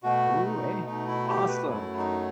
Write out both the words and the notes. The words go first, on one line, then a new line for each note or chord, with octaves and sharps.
Ooh, hey. Awesome.
B2 A3 F#4
D#4
B2 A3 D#4
E4
G4
B4
F#2 F#3 A3 E4
D#4